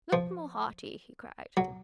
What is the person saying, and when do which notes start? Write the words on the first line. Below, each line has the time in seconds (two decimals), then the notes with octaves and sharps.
"Look more hearty!" he cried.
0.13 F3
1.57 F#3